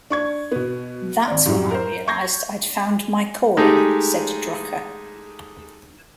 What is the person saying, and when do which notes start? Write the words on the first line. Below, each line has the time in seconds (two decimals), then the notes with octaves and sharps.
"That's when I realized I'd found my calling," said Drucker.
0.10 D4 C#6 G#6
0.52 B2 B3
1.28 G#1 D5
1.46 F#2 A2 G3
1.71 A#4 C5
2.08 C#6 G6 G#6 A#6 C7
3.57 G#3 A3 D#4 G4 G#4